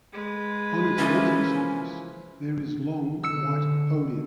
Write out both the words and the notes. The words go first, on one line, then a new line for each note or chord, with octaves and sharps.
On its ventral surface there is long white podia.
G#3 B4
E3 F3 A#3 C#4
D3 E6 C#7